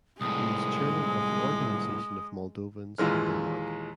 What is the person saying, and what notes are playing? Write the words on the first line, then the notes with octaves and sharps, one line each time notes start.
He is chairman of the Organization of Moldovans in Denmark.
C2 A2 G#3 D#6
D#2 A#2 E3 G#3 F6